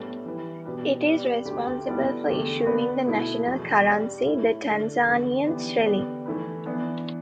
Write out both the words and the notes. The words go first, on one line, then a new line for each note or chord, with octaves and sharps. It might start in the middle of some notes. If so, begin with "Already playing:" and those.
It is responsible for issuing the national currency, the Tanzanian shilling.
Already playing: A2 G3 B3 D4 A4
E3 G3 E4 B4
B2 B3 D4 G4 B4
G3 B3 G4 B4 D5
D2 D3 A3 G4
G3 B3 E4 A4 D5
E2 D3 A3 G4
D3 B3 D4 B4 D5
B2 A3 E4
E2 B2 A3
G3 D4 G4 D5
A2 A3 E4
D3 A3 D4
E2 D3 B3
E3 B3 D4 G4
D3 B3 G4 D5
E3 A3 E4 B4
E3 B3 D4